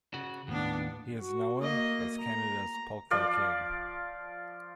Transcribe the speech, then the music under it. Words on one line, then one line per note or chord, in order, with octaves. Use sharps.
He is known as Canada's Polka King.
C#3 F#4
D#2 A2 B3 D4
F#4
A#3 D#5
A#5
F3 D5 F5